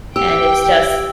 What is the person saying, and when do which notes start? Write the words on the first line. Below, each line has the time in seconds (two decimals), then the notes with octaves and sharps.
and it's just,
0.16 G4 G5 E6